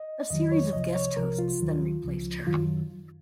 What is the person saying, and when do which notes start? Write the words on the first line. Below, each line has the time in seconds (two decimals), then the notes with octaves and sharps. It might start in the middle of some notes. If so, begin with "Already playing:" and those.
A series of guest hosts then replaced her.
Already playing: D#5
0.30 F2 D#3 F#3 D#5
0.52 C#5
0.73 C2 C3 F3 D#5
0.95 C#5
1.17 C2 C3 F3 A#4
1.38 F4
1.60 D#2 D#3 F#3
2.04 C#2 C#3 F3
2.46 F#2 D#3 F#3 F4